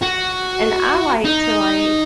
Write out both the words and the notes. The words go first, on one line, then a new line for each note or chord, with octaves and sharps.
And I like to, like,
F#4
D#4